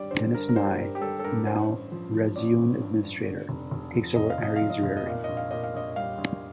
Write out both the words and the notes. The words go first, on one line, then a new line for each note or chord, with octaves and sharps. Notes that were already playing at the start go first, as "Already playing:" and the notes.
Denys Nye, now Reseune Administrator, takes over Ari's rearing.
Already playing: G2 G3 D5
D3 C5
G2 A#4
A#4
G3 C5
G2 A#4
G4
G3 A4
A4
G2 A#4
G2 C5
A1
F3
F3
A1 D5
A1
G2
G2
D3
F1
F1
F3
F1 D#5
F5
F1 D#5
F3 F5
D#5
F1 F5
D#5
A#2 F5
A#1 D#5
F5
A#2 D#5
F5
A#1 D#5
G3 F5
A#1